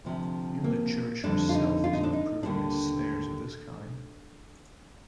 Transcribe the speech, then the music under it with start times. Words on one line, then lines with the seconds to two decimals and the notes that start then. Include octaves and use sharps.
Even the Church herself is not proof against snares of this kind.
0.05 D2 C3 F3
0.64 A#3
1.24 F2 D3 G3 D4
1.49 F4
1.55 D#4
1.84 F4
1.93 D#4
2.03 D4
2.13 D#4
2.43 D#2 D3 G3 D4